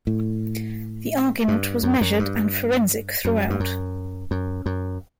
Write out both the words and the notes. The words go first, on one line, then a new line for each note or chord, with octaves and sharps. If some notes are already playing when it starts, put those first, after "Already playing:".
The argument was measured and forensic throughout.
A2
G2
F#2
F#2
G2
F#2
G2
F#2
F#2
F#2